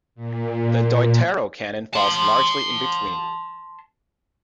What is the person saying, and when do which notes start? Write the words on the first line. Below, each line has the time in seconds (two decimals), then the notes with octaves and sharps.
The Deuterocanon falls largely in between.
0.15 A#2
1.93 A5 C6